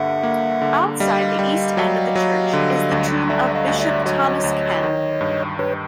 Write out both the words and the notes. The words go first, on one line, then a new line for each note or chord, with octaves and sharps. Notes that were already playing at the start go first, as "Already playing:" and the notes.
Outside the east end of the church is the tomb of Bishop Thomas Ken.
Already playing: G2 D3 A#3 E5 F#5
A#3
D3
G3 D#5 F5
G3
F#3
F#3
D3
D2
D3 D5 E5
D#5 F5
D2
D5 E5
F#3 C#5 D#5
D2
D#3
G2
G2 B4 C#5